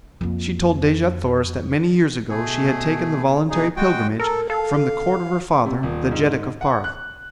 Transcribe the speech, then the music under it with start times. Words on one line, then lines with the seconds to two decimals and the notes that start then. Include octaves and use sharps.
She told Dejah Thoris that many years ago she had taken the voluntary pilgrimage from the court of her father, the Jeddak of Ptarth.
0.21 F2 A#3
2.29 B2 A3 G#4
3.50 B2 D#4 G#4
3.76 G#3 F#4 G5
4.19 A4 A#4
4.50 A4 F5
5.66 C3
5.83 D#1
6.11 G#2
6.61 F#5
6.84 F#6